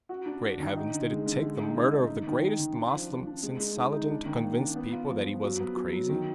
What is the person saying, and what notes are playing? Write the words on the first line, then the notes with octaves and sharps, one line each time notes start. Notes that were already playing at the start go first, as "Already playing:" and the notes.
Great heavens, did it take the murder of the greatest Moslem since Saladin to convince people that he wasn't crazy?
F#4
D4
F#4
D#3
D#4
D3
G#3
D3
G#3
D#4
D#4
D#4
D#4
D#3
D#3
D#3
D4
F3
F3
D4
G#3
G#3
D#4
D#4
D4
D#3
A#3
D4
B3
F4
F3
F3
F#3
B3
F#3
F#3
D#3